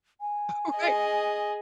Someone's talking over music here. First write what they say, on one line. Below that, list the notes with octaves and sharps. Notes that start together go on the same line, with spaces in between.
All right.
G#5
G#4 D#5